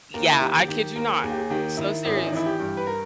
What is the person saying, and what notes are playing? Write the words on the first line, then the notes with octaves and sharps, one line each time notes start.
Yeah, I kid you not. So serious.
D#2 A#4
E4
D#3 G4
D#3 G4
D#2 A#4
D#2 G#4
G4
G#4
D#3 G4
D#3 E4
G#1 E4
C#4
D#4
E3 E4
G4
G2
B4
A#4